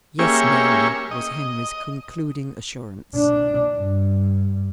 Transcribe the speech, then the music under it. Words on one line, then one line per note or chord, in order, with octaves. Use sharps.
"Yes, Mary," was Henry's concluding assurance.
A#3 C#4 G4 G#4 E5 C#6
D#5
D4
G2